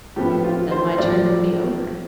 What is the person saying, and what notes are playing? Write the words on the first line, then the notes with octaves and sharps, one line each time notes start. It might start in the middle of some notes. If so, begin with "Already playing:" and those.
Then my turn will be over.
A2 F3 B3 G4
F4
C5
A2 F3 D5